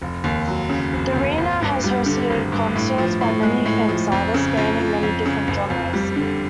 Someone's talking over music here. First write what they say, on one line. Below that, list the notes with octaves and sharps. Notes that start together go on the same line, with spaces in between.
The arena has hosted concerts by many famous artists, spanning many different genres.
F1
D#2
F#3
C#3
F1
D#2
G#1
G2
G3
D3
G#1
G2
A2
F3
A2
G#3
A2
F3
F2
C#3
F2
F3
F2
C#3
F#1
F2
G3
D3